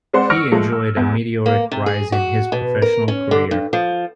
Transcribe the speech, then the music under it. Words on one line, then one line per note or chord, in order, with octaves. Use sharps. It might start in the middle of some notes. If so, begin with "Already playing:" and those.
He enjoyed a meteoric rise in his professional career.
G#3 C4 B4 C5 D5 F#5
C#6 E6 F6 A#6 C#7 D7
F3 G#3 A3
E6
E2
A#3
C3
G#4
F#4
B2
A#4
C#4
D3
G2
F3